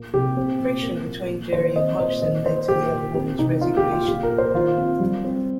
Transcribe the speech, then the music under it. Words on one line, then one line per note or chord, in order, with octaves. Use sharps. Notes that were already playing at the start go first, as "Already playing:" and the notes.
Friction between Gerrie and Hodgson led to the elder woman's resignation.
Already playing: A#2 A#3
C3 G4
C4
A#2
A#3
A#2
A#3
D#3 C5
C4 D#5
A#2 C5
D#3 D#5
A#3 C5
A#2 G4
A#3
C4 G4
C3 D#4
A#3 F4
G4
A#2
F4
A#2 G4
A#4
A#3
C5
D#3 F4
C4
G3
C4